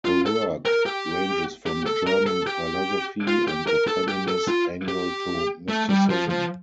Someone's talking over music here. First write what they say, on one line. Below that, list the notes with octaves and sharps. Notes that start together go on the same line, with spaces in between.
Her work ranges from German philosophy and the feminist angle to mysticism.
F4
A4
A#4
G4
G4
A4
A#4
A4
G4
F4
G4
A#4
A4
G4
A4
F4
G4
A3
G3
F3
F3